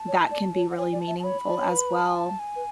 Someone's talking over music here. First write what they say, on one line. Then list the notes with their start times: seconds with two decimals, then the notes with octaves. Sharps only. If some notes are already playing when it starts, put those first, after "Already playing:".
that can be really meaningful as well.
Already playing: A5
0.08 C#5
0.31 D5
0.55 C#5
0.70 F#5
0.78 C#5 G#5
0.92 D5
1.01 A5
1.08 E5
1.20 A5
1.24 C#5 B5
1.46 D5
1.58 C#5
1.70 B4
2.07 G#5
2.16 A5
2.39 G#5
2.56 B4